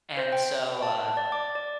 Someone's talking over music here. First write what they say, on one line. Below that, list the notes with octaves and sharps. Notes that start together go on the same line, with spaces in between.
And so, uh,
C5
G5
A5
D5
D6
D5